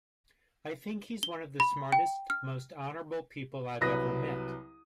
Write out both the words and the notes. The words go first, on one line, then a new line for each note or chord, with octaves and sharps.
I think he's one of the smartest, most honorable people I've ever met.
G7
B5
G5
F6
C2 F#3 B4 D#6 A#6